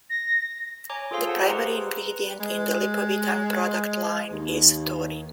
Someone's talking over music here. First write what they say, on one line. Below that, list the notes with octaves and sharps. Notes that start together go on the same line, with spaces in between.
The primary ingredient in the Lipovitan product line is taurine.
A#6
C#5 G#5 A#5 D6
F4 G#4 A4 C5 F5 C6
C5 F#5 A5
G4 G#4 B4 A#5 C6
B4
G#3
D#2